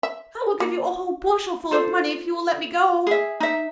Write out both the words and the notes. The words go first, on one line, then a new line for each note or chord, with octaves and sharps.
'I will give you a whole bushelful of money if you will let me go!'
E5
A#3
F4 A4 C5
G#4 E5
D#4 E5